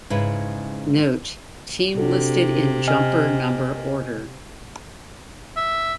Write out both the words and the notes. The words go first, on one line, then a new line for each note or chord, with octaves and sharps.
Note: Team listed in jumper number order.
G#2 C#3 E4 B4
C3 D4 F#4 A4
D#5 G#5 F6
E5